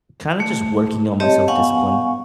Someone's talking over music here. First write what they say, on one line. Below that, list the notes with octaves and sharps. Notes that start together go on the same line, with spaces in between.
kinda just working on my self-discipline.
A3
C4 G4 C#5 D#5 A5
B3 F5 F#5 G#5 C#6